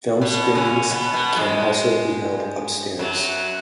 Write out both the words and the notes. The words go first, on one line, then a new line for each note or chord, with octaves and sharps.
Film screenings can also be held upstairs.
B2 B3
C#3 C#4
B2 B3
B2 B3
G#2 G#3
F#2 F#3